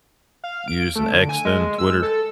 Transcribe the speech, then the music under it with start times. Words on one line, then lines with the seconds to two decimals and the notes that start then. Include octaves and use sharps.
using X, then Twitter.
0.44 F5
0.68 D7
0.96 A3
1.13 D3
1.29 G#5
1.45 G#3
1.79 E6
2.02 A4